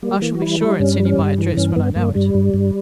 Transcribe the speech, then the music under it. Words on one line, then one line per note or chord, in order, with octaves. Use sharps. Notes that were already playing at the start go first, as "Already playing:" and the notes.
I shall be sure and send you my address when I know it.'
G3 A#3
G3
E3 A#3
F#4
G3 E4
G3 E4
G2 C#4
G3
C#4
G2
E3
G2 C#4
G2 B3
G2 A#3
G2 G3
G2
G2